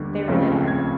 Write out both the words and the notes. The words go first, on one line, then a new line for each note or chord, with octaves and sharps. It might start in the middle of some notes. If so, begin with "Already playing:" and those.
they really are.
Already playing: D#2 D3 G3 B3
C#2 C#3 F3 A3 C4
G#6